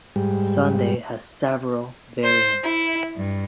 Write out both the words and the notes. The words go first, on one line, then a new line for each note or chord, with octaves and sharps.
Sunday has several variants.
G#2 G3
C5
E4
G2